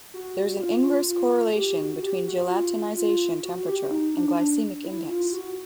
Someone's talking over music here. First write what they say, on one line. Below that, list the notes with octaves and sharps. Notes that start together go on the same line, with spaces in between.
There is an inverse correlation between gelatinization temperature and glycemic index.
F#4
F4
F4
G#4
G4
F#4
G4
F#4
F4
F4
F#4
G4
D#4
D4
D4
E4
F4
F#4